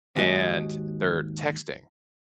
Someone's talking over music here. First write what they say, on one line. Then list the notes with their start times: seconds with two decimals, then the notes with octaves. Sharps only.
and they're texting
0.16 D#2 G#2 F#4 D#5